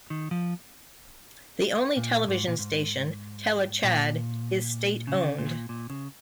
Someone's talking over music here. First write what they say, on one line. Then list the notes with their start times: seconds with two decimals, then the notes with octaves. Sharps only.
The only television station, Tele Tchad, is state-owned.
0.10 D#3
0.31 F3
1.97 A#2
2.28 G#2
2.47 A#2
2.59 G#2
3.84 A#2
5.07 C#3
5.38 A#2
5.69 A#2
5.90 C#3